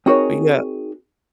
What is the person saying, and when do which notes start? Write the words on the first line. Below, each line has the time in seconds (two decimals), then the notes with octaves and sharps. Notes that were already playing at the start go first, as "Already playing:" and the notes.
But yeah
0.06 C4 D#4 F#4 G#4 A#4 C#5